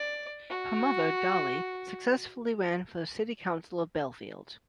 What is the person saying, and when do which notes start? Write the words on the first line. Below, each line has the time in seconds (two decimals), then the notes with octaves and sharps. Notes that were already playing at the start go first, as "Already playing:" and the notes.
Her mother Dolly successfully ran for city council of Bellefield.
Already playing: D5
0.49 F#4